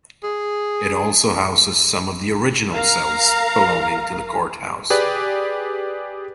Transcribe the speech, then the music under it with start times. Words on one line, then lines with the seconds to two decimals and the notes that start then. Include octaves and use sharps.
It also houses some of the original cells belonging to the Courthouse.
0.23 G#4
2.72 A#4 F5 A#5
4.90 G4 G#4 B4 D5